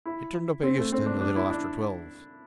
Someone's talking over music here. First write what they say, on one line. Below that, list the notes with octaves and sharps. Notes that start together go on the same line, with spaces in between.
He turned up at Euston, a little after twelve.
E4
C4
A3
C4
D4
D4
E4
D4